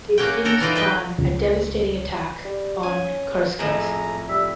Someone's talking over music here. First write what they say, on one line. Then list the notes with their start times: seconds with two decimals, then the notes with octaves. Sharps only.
They begin to plan a devastating attack on Coruscant.
0.18 A#3 C#4 F#4 G5
0.45 F#4 A4 A#4 G5
0.60 E3 D#4 F4 D5 G5
0.75 B4 D#5 G5
1.18 C#2
2.45 G3
2.83 C#4 G#5
3.59 F2 A2 G#4 A#5
4.29 G3 E5